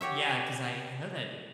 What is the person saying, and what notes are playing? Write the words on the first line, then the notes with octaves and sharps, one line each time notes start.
Yeah, 'cause I I know that they
F#4 G4 C#5 E5